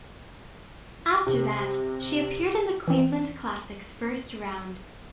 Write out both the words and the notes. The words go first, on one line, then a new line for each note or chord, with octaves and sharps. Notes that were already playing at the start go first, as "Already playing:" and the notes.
After that she appeared in the Cleveland Classic's first round.
C3
E3 C4